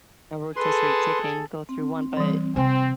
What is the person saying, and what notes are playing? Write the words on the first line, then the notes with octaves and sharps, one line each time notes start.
A rotisserie chicken go through one, but
G#4 A4 B4 C6
C4
E3 G3
C3 E3 C4 G#5